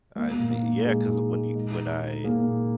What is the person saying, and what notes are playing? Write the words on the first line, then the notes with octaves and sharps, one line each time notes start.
I see. Yeah, 'cause when you when I
G#3 A#3
A#3
A#2
A#3
D#4
A#2 G#3
D#4
G#3
G#3
D#4
D#4
A#3 G#4
A#2